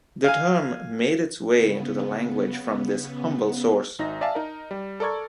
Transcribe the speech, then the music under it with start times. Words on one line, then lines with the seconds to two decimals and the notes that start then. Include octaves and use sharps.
The term made its way into the language from this humble source.
0.24 F5 G#5
1.53 C#3 B3
3.99 G#1 D#4 E5 A#6
4.21 D5 E5 F5 G#5 A5
4.35 D#4 A#4
4.71 G3
5.00 A4 A#4 D5 C#6 G#6